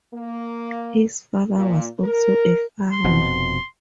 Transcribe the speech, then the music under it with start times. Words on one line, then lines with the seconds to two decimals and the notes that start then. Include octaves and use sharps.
His father was also a farmer.
0.13 A#3
1.56 A#2
2.03 A#4
2.92 C6
3.04 F1 F2 B2